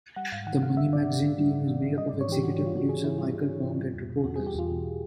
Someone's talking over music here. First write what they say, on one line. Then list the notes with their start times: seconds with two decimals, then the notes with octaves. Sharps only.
The "Money Magazine" team is made up of executive producer Michael Wong and reporters.
0.16 G3 F#5
0.32 G#2 F5
0.47 D#3 F#5
0.62 G#2 F5
0.77 G3 E5
0.92 G#2 D5
1.07 D#3
1.23 G#2
1.38 G3
1.53 G#2
1.68 D#3
1.83 G#2
1.98 G3 D#5
2.09 G#2 D5
2.21 C#5
2.28 E3 G4
2.43 G#2 F#4
2.58 G3
2.66 F4
2.73 G#2 F#4
2.89 E3 G#4
3.04 G#2 E4
3.18 G3 F4
3.34 G#2
3.49 E3
3.64 G#2
3.79 G3
3.94 E2
4.09 B2
4.24 E2 F#4
4.36 G3 G#4
4.47 G4
4.55 E2 F4
4.70 B2